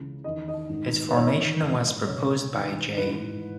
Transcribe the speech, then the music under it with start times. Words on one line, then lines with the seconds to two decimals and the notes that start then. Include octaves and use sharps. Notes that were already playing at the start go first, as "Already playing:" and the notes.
Its formation was proposed by J.
Already playing: C#2 C#3 E3
0.24 E2 D#3 D#5
0.48 D#5
0.69 G#2 D#3
1.09 B4
1.15 D#2 D#3 C#5
1.61 G#2 E3
2.07 C#2 B2 C#5
2.52 D#2 D#3
2.98 G#2 E3 B4